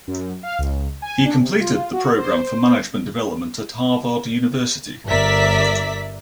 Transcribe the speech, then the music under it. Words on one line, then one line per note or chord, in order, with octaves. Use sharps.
He completed the Program for Management Development at Harvard University.
F#2
F5
C#2
G#5
D4
C3
F4
F#4
C5
G1 A#4 D5 E5 B6